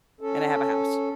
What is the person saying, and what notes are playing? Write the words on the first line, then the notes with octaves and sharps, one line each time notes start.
and I have a house.
C#4 A4